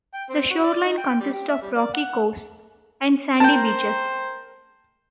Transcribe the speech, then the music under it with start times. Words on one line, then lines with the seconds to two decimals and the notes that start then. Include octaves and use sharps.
The shoreline consists of rocky coves and sandy beaches.
0.14 G5
0.30 C4
0.50 F#4
0.64 D5
0.84 D#4
0.98 G5
1.20 G3
1.33 G4
1.48 E5
1.62 G3
1.76 D5
1.94 F#5
3.40 A#4 C5 G5 A5